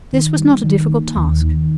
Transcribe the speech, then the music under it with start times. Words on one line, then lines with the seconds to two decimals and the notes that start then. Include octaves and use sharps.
This was not a difficult task.
0.13 D#3
0.39 G3
0.64 D#3
0.90 A#3
1.16 D#2
1.41 D#3